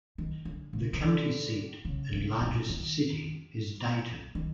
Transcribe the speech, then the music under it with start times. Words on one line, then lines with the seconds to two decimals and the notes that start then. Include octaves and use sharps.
The county seat and largest city is Dayton.
0.18 D#3
0.45 D3
0.73 C#3
0.93 C#3
1.02 D3
1.85 C#3
2.12 C#3
2.41 B2
2.69 D#3
4.35 D#3